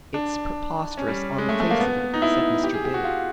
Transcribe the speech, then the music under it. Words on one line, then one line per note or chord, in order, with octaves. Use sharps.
"It's preposterous on the face of it," said Mr. Bib.
D4
C#4
G3
G#3
A3
A3
A#3
B3
D#4
E4
G4
G#4
G4
F#4
F4